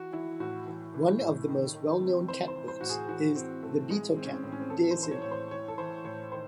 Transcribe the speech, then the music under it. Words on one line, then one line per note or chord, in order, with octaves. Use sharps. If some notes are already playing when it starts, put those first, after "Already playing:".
One of the most well-known catboats is the Beetle Cat daysailer.
Already playing: E3 F#4
E3 E4
A2 F#4
E3
E3
A2
D#3
D#3
C3
E3 C5
C5
E3
C5
A2 F#4
G#4
E3 F#4
E3 C4
A2 A3
E3 G#3
E3 C4
C#4
C4
A2 C4
C#4
C4
E3 A4
C5
E3
C5
C#5
A2 C#5
C5
E3 C#5
A4
E3 C5
A2 C#5
D#3 C5